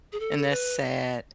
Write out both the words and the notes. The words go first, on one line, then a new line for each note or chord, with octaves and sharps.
and that's sad.
G#4
A4
B4